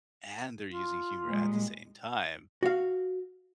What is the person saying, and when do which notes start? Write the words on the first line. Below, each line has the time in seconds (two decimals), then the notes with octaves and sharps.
and they're using humor at the same time,
0.69 F4
1.26 A#2 G3 G#3
2.63 F#4 F5